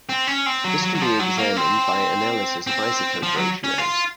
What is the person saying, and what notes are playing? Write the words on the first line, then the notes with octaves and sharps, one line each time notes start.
This can be examined by analysis of isotope ratios.
C4
C#4
C4
F#3
F#3
F#3
F3
F#3
A#3
C4
C4
F3
F#3
C#4
F4